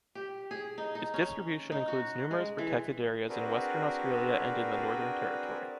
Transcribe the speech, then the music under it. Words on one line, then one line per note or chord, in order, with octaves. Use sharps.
Its distribution includes numerous protected areas in Western Australia and in the Northern Territory.
G4
G#4
D#4
D#4
C#4
D#4
F#4
G#3
E3
C4 D4 F#4 G#4 A#4 B4